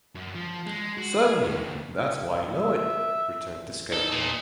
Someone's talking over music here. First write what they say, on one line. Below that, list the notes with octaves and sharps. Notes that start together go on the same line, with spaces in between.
"Certainly; that is why I know it," returned the Scarecrow.
F#2
F3
G#3
F#4
G#4
D#2
D2
E5
D#4 A4
A#2